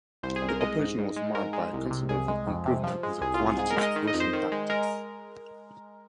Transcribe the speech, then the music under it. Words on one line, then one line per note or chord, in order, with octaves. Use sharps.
The operation was marked by a considerable improvement in the quality of Russian tactics.
C2 C5
G#4
C2
A#4
G#3 D#5
G#2
G#2
G#3
G#2 A#4
G#3
C2
C3
C2 G#4
G#3
F2
C3
F3
G#3
C2 G#4
F4
C2
G#4
G#2 G#4
A#4
G#3
D#5
D#3
D#5
F2
C5
D#3
G#3
G#3 A#4